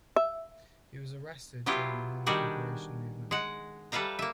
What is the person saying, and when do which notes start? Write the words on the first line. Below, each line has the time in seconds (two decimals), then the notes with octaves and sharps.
He was arrested during the Non-Cooperation Movement.
0.16 E5
1.66 F#3 B3 E4 F4 G4
2.26 D#3 G3 D4 F#4 G#4
3.31 G#3 F#5
3.92 G3 A4 B4 E5 F5 A#5
4.19 A#3 E5